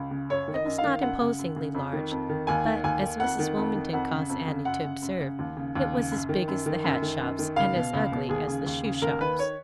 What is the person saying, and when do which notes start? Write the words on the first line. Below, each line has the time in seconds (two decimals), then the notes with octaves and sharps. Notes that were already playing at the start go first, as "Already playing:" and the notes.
It was not imposingly large, but, as Mrs. Wilmington caused Annie to observe, it was as big as the hat shops and as ugly as the shoe shops.
Already playing: C#2
0.11 C#3
0.29 F#2 C#5
0.48 D#3
0.54 D#5
0.65 F#2
0.78 F5
0.84 D#3
1.02 F#2 F#5
1.21 C#3
1.39 F#2
1.56 C#3
1.75 F2
1.93 D#3
2.11 F2
2.29 D#3
2.47 D#2 G#5
2.66 D#3
2.84 D#2 G#5
3.02 D#3
3.20 F2 F#5
3.39 D#3
3.57 F2
3.75 D#3
3.93 F2 F#5
4.11 C#3
4.30 F2
4.48 C#3
4.65 F#2 F#5
4.84 C#3
5.02 F#2
5.20 C#3
5.39 D#2
5.57 C#3
5.75 D#2
5.93 C#3
6.11 F#2
6.29 D#3
6.48 F#2
6.66 D#3
6.84 F#2
7.02 D#3
7.21 F#2
7.39 D#3
7.56 C#2 F5
7.76 B2
7.93 C#2
8.12 B2
8.29 D#2 G#4
8.47 C#3
8.66 D#2
8.84 C#3
9.02 D#2 A#4
9.21 D#3 B4
9.39 C#5